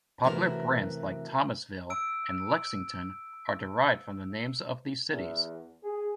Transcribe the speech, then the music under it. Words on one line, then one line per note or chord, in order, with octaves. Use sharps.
Popular brands like "Thomasville" and "Lexington" are derived from the names of these cities.
C3 E3 A3 F#4 A#4
E6 D7
E2
G#4